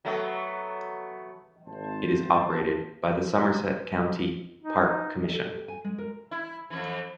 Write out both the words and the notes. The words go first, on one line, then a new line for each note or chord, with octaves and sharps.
It is operated by the Somerset County Park Commission.
F#3 A3 B3
G#1 C5 A5
D#4
A4
G4
G#5
G#3
A#4
E4
F2 E3